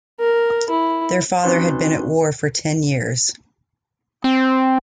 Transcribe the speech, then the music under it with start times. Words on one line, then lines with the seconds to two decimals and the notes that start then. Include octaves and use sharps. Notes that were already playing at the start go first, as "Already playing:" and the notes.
Their father has been at war for ten years.
0.20 A#4
0.70 E4
1.43 C4 C#4 D#4 F#4 B4 C6
4.24 C4